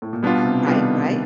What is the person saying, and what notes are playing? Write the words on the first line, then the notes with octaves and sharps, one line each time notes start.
Right, right.
A2
A#2
B2 G3 B3 D4 F4
C3
G3 B3 D4 F4
D#3